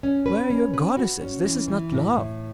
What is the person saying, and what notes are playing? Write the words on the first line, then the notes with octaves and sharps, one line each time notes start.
Where are your goddesses? This is not love.'...
C#4
B4
C#4
B4
F#4
C#4
E3
E3
A2
A2